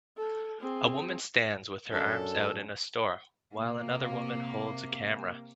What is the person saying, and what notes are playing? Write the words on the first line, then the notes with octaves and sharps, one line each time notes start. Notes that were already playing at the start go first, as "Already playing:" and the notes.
A woman stands with her arms out in a store while another woman holds a camera.
A4
C4 G#4
F#2 C#4 D4 A4
C3 A#3